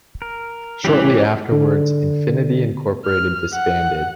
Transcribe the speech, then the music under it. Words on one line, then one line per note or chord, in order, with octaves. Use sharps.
Shortly afterwards, Infinity Incorporated disbanded.
A#4
A2 E3 G3 C#4 G4 D6
D3
F6
F#5